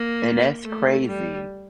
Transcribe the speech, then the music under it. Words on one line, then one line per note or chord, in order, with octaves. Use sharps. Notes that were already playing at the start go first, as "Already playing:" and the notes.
And that's crazy.
Already playing: A#3
A3
G3